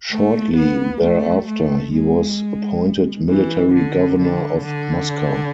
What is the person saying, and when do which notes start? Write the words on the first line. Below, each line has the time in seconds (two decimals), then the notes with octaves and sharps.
Shortly thereafter he was appointed military governor of Moscow.
0.11 A3
0.57 B3
1.03 A3
1.48 A3
1.93 G#3
3.29 E3
3.75 D3
4.20 D3
4.65 D3